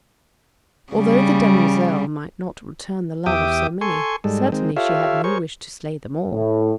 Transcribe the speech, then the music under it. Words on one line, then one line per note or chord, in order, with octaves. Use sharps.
Although the demoiselle might not return the love of so many, certainly she had no wish to slay them all.
C#3 G3
E2 G4 E5 G5 D6 D#6
A4 G#5 C6 C#6
G#2 G3 G#3 A4
D#3 G#3 C4
F4 G4 A4 C#5 E5 F5
G#4 A#4 C5 C#5 C#6
A2